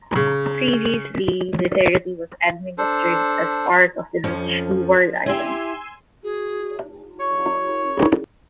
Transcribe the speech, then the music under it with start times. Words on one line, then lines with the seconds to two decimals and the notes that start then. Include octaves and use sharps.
Previously, the territory was administered as part of the British Leeward Islands.
0.16 C#3
2.78 D4 A4 C5
4.24 F2 F3 C#4
5.26 E4 G4 G#5 C6 E6
6.24 F#4 G#4
7.19 C#5 C#6